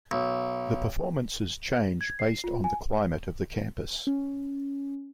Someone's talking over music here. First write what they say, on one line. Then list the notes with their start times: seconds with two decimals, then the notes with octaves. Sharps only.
The performances change based on the climate of the campus.
0.11 B1
2.01 G#6
2.19 C7
2.44 F4
2.64 G#5
4.07 C#4